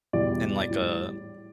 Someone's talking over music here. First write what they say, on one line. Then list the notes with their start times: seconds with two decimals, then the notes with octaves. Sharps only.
in, like, a
0.13 E2 B2 G3 D5
0.69 A2 G3